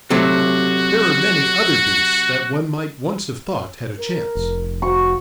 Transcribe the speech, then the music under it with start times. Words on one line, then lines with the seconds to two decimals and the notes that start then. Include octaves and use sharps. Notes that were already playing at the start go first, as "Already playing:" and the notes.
There are many other beasts that one might once have thought had a chance.
0.10 C3 F#3 A3 F#4
3.99 A#4
4.35 F1
4.82 F#4 C#6